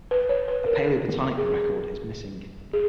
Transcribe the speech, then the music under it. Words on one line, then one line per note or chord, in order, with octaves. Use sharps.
A Paleobotanic record is missing.
B4
C#5
B4
A#4
G#4
G#4